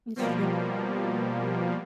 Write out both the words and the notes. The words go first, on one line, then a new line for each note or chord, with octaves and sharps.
It's true.
B2 F3 G3 A#3